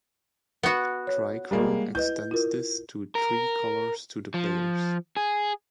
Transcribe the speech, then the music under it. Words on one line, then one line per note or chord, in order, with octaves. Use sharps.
Trichrome extends this to three colors to the players.
B3 F#4
C#5
G3 G#3 A#3
E4 B4 D#5 G6
E4 F4 A#4
A#4
F3
G#4